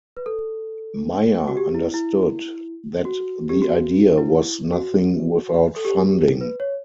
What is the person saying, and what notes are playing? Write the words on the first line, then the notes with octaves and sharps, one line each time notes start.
Meyer understood that the idea was nothing without funding.
B4
A4
F#4
G4
E4
E4
F#4
G4
F#4
E4
F#4
A4
G4
B4
C#5